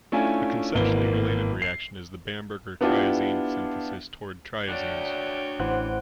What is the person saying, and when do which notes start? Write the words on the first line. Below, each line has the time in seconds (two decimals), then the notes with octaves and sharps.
A conceptually related reaction is the Bamberger triazine synthesis towards triazines.
0.12 A3 C#4 D4 E4 F4 G#5
0.75 G#1 E3 A#3 B3 G7
1.62 C7
2.81 B3 D4 E4 F4 G4
4.69 D4 F#4 C#5 D5 G5
5.60 A1 E3 C5 F#5 F#6